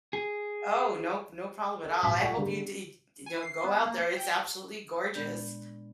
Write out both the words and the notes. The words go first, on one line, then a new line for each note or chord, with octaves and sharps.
Oh, no p no problem at all. I hope you deeg you know, go out there, it's absolutely gorgeous.
G#4
A4
A#1 F#3 B6
F4 A4 D5 F#5 G#5 C#6
D3 G3 G#3 B3 G4
G#5
C7
B3
A#3
C5
G5
A#2 G#3 B3 D4 D5 G6